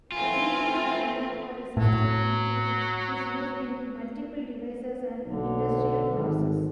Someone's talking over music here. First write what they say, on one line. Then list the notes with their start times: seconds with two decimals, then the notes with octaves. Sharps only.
Joule-heating or resistive-heating is used in multiple devices and industrial process.
0.12 E3 A3 C4 F4 G#5
1.77 A2 F#3
5.27 B1 D3
6.14 G#1